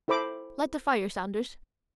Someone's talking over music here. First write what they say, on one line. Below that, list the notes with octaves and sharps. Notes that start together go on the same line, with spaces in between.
Light the fire, Saunders.
E4 A4 C5 B5 D6